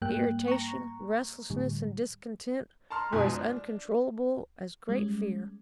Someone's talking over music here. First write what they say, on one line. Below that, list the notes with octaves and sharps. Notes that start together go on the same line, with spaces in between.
Irritation, restlessness and discontent were as uncontrollable as great fear.
G#2 G3 A#3 G5 F#6
A#5 C#6
A2 D3 G3
A5 A#5 C6 F6
E1 G#2 B2 F3 G#5
D4
G3 G#3 C#4